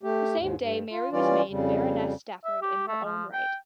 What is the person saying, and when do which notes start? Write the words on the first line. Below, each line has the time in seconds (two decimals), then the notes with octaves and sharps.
The same day Mary was made Baroness Stafford in her own right.
0.03 A3 G4
0.37 D#2 G#2
0.57 G2
0.91 F4
1.12 E3 G3 C#4 F4 D5
1.49 F2 C#3 G3
2.45 E5
2.62 G4
2.88 A3
3.05 F3
3.33 G5